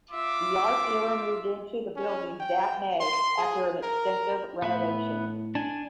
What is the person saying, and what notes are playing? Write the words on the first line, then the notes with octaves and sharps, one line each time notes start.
The art dealer moved into the building that May after an extensive renovation.
F4 E5 D6
C#4
G5
C6
G#4
A#4
A2 B3 E5 B5
D4 G#5 A5